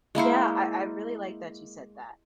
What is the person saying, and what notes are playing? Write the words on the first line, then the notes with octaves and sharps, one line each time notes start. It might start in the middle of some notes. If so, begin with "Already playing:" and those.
yeah, I I really like that you said that,
G#3 A#3 E4 C5